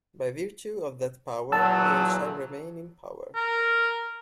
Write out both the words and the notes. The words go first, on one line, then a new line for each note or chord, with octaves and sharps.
By virtue of that power we shall remain in power.
E2 A#2 F#3 A5 E6
A#4